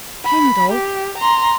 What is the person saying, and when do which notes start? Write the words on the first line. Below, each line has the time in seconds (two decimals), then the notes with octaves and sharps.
Hang it all!
0.25 B5
0.72 G4
1.18 A#5 C6